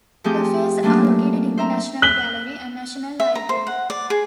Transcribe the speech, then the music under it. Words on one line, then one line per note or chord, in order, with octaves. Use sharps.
Cafes are located in the National Gallery and National Library.
F3 A3 C4 G4 G#4 G6
F#3 A3 A#3 C#4 D4 F4
C5 E5 A#5
F#6 B6 F#7 G7
E5
A#5
C5
F#5
D5
G#4